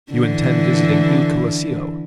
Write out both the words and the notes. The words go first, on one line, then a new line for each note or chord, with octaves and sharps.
"You intend visiting Il Colosseo."
D3 E3